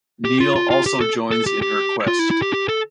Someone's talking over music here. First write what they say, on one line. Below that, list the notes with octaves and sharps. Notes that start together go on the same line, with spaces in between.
Neel also joins in her quest.
G4
F4
F4
F4
G4
A4
A4
G4
G4
F4
E4
E4
G4
G4
A4